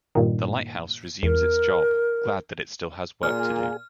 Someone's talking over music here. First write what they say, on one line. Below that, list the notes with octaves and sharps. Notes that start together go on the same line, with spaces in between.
The lighthouse resumes its job, glad that it still has work to do.
G2 A#2 D#3
E2 A#4
A#2 G#4 G#5 F6